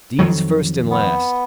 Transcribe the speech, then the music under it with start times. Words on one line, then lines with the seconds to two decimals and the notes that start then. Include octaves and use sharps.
These first and last.
0.19 F2 D#3 F#3
0.90 B3